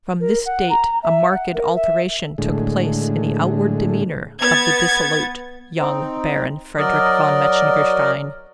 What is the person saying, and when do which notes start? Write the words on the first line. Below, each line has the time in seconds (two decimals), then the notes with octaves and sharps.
From this date a marked alteration took place in the outward demeanor of the dissolute young Baron Frederick Von Metzengerstein.
0.20 A#4
0.46 F#5
0.70 A#5
1.03 E5
1.31 F#5
1.54 A#4
1.75 E5
2.38 A2 D3 G#3
4.40 B3 G#6 A6
5.79 C4 D#4
6.77 F#3 A#4 D5 D#5